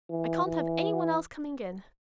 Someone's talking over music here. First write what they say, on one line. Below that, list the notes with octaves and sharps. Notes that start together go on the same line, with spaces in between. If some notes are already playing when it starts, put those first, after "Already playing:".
I can't have any one else coming in.
E3
E3